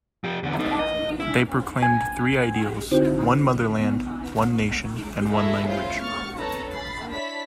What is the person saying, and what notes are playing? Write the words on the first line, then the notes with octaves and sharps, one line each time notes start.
They proclaimed three ideals, one motherland, one nation and one language.
F3 G4
E2 D3
D#4 A4
D#5
E4
G#5
D3 C4 D#4 E4 F#4 C5
B3
E4 G#4 A4 D#5 E5
C#4 E4 F4 C5 F5 G6
C#6 F6 A6 C#7
A4 B4 C#5 A5 A#5
B5 A6 C7
D4 E4 C#5 A5 B5 B6